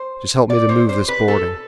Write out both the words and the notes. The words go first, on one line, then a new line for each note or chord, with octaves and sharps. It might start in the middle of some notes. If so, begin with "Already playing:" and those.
"Just help me to move this boarding."
Already playing: C5
D5
C5
C5
B4
A4